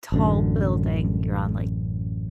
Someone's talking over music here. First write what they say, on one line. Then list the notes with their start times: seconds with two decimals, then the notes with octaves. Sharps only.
tall building. You're on, like
0.12 A1 F#2 D3